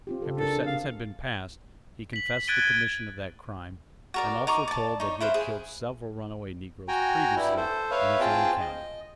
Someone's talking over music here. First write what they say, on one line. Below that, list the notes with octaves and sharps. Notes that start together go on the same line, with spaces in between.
After sentence had been passed, he confessed the commission of that crime, and also told that he had killed several runaway negroes previously in his own county.
C4 F4 G4
C#3 F4 A4
D4 F4 A4 A#4
G#4
F5
B6 F#7
F#6 G#6 A6 D7 D#7 G7
F#4 A#4 D5
D#4 A#5 C#6 D6
D5 A5
D#4 C#5
E4 B4 C5 F5
G#4
F#4 G5 G#5 A#5
G2 G3 E4
A4 C5
B4 C#5 E5 F5
C4 F4 G#4 G5 A5
D#5